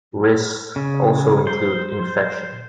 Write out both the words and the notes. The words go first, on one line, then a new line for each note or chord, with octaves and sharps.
Risks also include infection.
C#3
C5